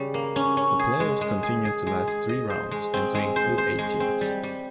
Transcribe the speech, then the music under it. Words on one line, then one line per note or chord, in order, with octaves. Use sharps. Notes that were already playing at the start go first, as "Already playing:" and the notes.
The playoffs continued to last three rounds and to include eight teams.
Already playing: C#3 G3
A#3
C#4
C#4
G#4
G#3
G#3
G#4
G#4
G#3
G#4
D#5
C5
G#3
C4
G#3
C5
C5
G#3
C4
G3
G3